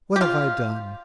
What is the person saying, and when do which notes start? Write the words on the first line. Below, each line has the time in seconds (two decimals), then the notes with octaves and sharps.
What have I done?
0.16 G4
0.21 F4